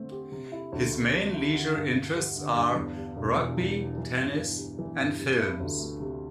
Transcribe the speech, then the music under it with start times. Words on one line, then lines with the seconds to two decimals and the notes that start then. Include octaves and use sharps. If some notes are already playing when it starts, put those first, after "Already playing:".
His main leisure interests are: rugby, tennis and films.
Already playing: D3 A3 C4
0.12 G4
0.32 C3
0.52 E4
0.72 D2
0.93 A3
1.13 C3
1.34 E4
1.54 D3
1.74 G2
1.94 G2
2.15 G3
2.35 D3
2.56 G2
2.75 E2
2.96 G3
3.16 E1
3.36 E3
3.57 E2
3.77 G3
3.98 E3
4.18 G2
4.38 G2
4.58 G3
4.79 E3
4.99 G2
5.19 C3
5.39 E4
5.60 D2
5.80 A3
6.00 C3